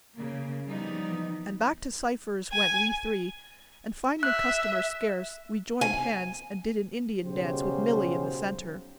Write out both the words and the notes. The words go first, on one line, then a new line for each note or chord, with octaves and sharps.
And back to Cypher's went we three, and, finding customers scarce, we joined hands and did an Indian dance with Milly in the centre.
C#3 A#3
E3 F3 G3 B3 D#4
G#5
E5 F#6
G#5
B1 C#3 F#3 G4 C5